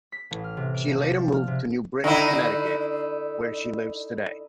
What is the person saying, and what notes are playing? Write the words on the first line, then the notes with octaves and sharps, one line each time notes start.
She later moved to New Britain, Connecticut, where she lives today.
B6
A1
F6
C3
D7
D#1
D5
F3
F6
C3
D3 D#4 E4